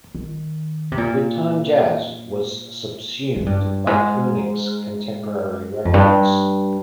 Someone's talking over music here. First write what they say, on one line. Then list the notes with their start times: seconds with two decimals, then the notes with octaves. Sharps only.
Good Time Jazz was subsumed by Koenig's Contemporary Records.
0.15 D#3
0.92 C3
0.97 A#2
3.36 G#2
3.46 G2
3.87 G#2
5.85 F2
5.94 G2